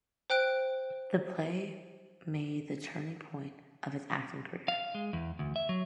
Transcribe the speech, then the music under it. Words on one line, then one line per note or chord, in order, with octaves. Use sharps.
The play made the turning point of his acting career.
C5 G5 F#6 D7
F5
G#3
E2
D2
E5
F#3